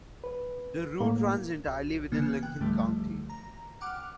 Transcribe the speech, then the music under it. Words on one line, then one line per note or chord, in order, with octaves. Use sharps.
The route runs entirely within Lincoln County.
B4
A2 A#3
B1
C#3 E3 A#3 B3
G5 F#6
C#2 G#2 D3 F3 G3 A3
A#5
F#5 G5 D6 F6 F#6